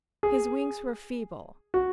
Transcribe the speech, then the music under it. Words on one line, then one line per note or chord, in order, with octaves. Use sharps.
His wings were feeble.
G#4
F#4